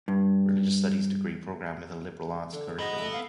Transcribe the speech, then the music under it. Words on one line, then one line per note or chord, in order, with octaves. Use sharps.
Religious Studies degree program with a Liberal Arts curriculum.
G2
D3
G#2 B3 D#4 F#4 D#5 B5
E4 A4 B4
F5